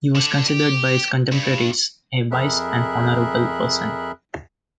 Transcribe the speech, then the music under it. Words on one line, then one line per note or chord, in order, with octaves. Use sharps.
He was considered by his contemporaries a wise and honorable person.
D3
G4
G2
F2 G#4 A#4 E5 B5 F#6